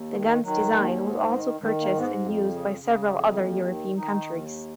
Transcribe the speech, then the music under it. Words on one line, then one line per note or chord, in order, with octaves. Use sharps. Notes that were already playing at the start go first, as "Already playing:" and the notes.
The gun's design was also purchased and used by several other European countries.
Already playing: D#2
D#3
D#3 F#3
D#2
G#2
D#3
D#3 G#3
A#3
G#2
B3
F2
C#3
C#3
F2
D#2
D#3
D#3 D#4
D#2